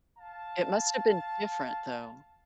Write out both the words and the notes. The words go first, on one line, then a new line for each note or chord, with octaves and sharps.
It must have been different, though.
F5 A5